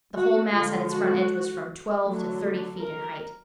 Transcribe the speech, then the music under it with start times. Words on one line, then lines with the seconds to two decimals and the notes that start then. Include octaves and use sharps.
The whole mass at its front edge was from twelve to thirty feet in height.
0.16 F#4
0.53 D3 F3 G#3 F4
0.91 F#4
2.04 D3 F#3 A3 D4
2.79 A#4